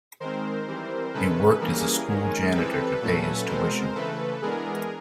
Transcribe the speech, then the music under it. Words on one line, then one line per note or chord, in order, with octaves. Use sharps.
He worked as a school janitor to pay his tuition.
D#3 G#3 C4 A#4 C5
E3 G3 C4
C3 D#3 G#3 C#4 A4 B4
E3 G3 A#3 C#4 G#4 A#4
D#3 G#3 C#4
E3 G3 C4 A4 B4
A#2 F#3 A3 C#4
B2 G#3 C4 A#4 C5
C#3 E3 A3 A4 B4
E3 G#3 B3 D4 G#4 A#4